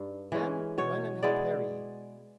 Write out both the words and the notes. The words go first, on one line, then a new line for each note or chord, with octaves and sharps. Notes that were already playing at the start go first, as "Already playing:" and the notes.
Ben, run and help Harry.
Already playing: G2 D#4
E3 G#3 C#4
B2 C#5
G#3 B3 E4 D5